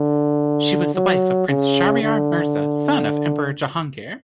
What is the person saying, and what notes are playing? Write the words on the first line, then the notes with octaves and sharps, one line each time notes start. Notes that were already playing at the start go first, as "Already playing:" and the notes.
She was the wife of Prince Shahryar Mirza son of Emperor Jahangir.
Already playing: D3
F#3
C#3
D3